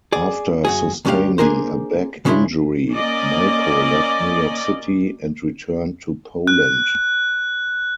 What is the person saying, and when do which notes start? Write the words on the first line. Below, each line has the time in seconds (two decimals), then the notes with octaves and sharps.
After sustaining a back injury, Miko left New York City and returned to Poland.
0.12 G#4 D5
0.65 F#2 F#4 G#4
1.05 D2 G3 C#4 D4 G4 F5
1.38 A#3 D4 G#4 A#4 C5
2.25 C#3 G#3 C#4 D4 E4 C6
2.92 A#3 C#4 D5 D#5
6.47 F#6